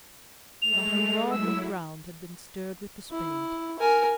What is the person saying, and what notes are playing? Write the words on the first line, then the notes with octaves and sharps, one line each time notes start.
Not a rod of ground had been stirred with the spade.
G#3 A3 F7
F#3 E4 E6
E4
A#4 G#5